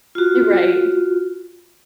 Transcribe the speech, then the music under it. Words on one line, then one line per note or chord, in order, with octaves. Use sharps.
You're right.
F4 F#4